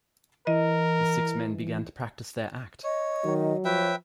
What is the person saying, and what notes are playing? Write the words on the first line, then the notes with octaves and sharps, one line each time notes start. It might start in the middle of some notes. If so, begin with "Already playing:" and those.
The six men begin to practice their act.
E3 A#4 D#5
C#5 D#5
D#3 F#3
F3 B4 C#5 E5 G5